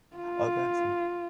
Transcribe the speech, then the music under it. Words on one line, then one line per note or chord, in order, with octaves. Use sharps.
Oh, that's in
F4